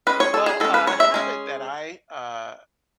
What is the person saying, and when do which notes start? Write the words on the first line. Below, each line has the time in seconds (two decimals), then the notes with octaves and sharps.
Well, a habit that I, uh,
0.07 G#3 C#4 B4
0.20 C#5
0.34 A4
0.46 G#4
0.60 G#3 C#4 A4
0.74 B4
0.87 C#5
1.00 E5
1.14 G#3 C#4